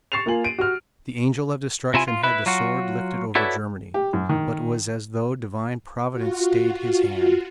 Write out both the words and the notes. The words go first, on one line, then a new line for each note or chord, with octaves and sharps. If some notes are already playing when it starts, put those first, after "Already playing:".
The Angel of Destruction had the sword lifted over Germany, but it was as though divine providence stayed his hand.
C#6 A6 C7 E7 F7
A#3 F4 G#5 F#7
D7 D#7
F#4 F6
C3 E4 F4 G#5
F4
E4 B4
F#3 F4 F#4
E4 F#4 A4 B4 C#5 D5
G4
F#2
D#3
F4 F#4